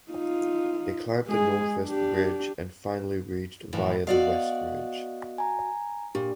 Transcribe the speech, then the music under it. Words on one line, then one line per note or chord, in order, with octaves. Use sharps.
They climbed the northwest ridge and finally reached via the west ridge.
D#4 F4
G#3 G#4
D4 G4
F2 A2 E3
B3 F#4 D5 D#5 F5
G#5 A#5
A#2 D4 G4